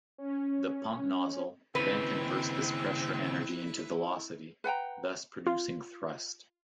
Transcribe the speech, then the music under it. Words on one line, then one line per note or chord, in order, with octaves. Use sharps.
The pump nozzle then converts this pressure energy into velocity, thus producing thrust.
C#4
D#2 C#3 C4 E4 B4
B4 F#5 G5 A#5
F4